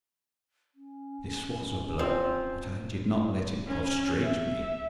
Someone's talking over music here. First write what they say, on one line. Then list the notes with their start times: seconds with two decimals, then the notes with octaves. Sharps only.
This was a blow: but I did not let it prostrate me.
0.75 C#4
1.99 F3 C4 C5
3.66 C#4
4.23 E5